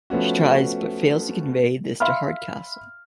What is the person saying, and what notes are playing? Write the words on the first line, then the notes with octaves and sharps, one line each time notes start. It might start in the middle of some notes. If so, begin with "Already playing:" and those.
She tries but fails to convey this to Hardcastle.
F3 A3 B3 C#4 F#4
E5 F5 B5 C6 F6